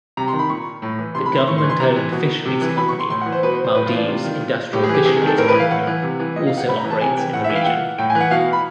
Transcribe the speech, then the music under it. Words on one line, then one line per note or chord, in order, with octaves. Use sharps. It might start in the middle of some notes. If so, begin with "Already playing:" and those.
The government owned fisheries company, Maldives Industrial Fisheries Company also operates in the region.
C3 A#5
C6
D#3
B5
A#2 C#6
A2
E3
C3 C6
B5
E3
C6
A2 C#6
C6
E3
C6
C3 A#5
E3
B2
C3
E3
B2 B5
C#6
C6
A2 C6
E3 F#5
C5
B2 B4
C5
C5
A2 B4
F4
E3 D4
C3 F4
D#3
A#2
A2 G4
G#4
E3
G4
C3 G#4
G#4
D#3
A4
A2 A#4
B4
E3
F5
A2 F#5
E3
C3
E3
A#2 D#5
F5
F#5
A2 B5
A#5
E3
A5
C3 G#5
E3 G5
A2 F#5
E5
E3
F5
G5
A#2 F#5
A2 G5
G#5
E3
F#5
B2 F5
B5